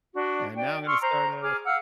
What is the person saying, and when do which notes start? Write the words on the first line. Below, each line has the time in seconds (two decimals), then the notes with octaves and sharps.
And now I'm gonna start off
0.14 D4 F#4
0.56 D5 G5
0.86 C6 C#6 E6 F6
1.02 C5 A#5
1.41 G#4 D6 F6
1.65 F5 F#5 E6 F6